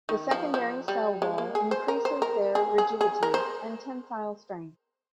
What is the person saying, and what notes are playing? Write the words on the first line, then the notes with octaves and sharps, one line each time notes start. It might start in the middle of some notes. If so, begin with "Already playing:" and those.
The secondary cell wall increases their rigidity and tensile strength.
D#3
F3
F3
G3
G#3
A#3
G#4
C5
A#4
C5
A#4
G#4
G#4
G#4
A#4
C5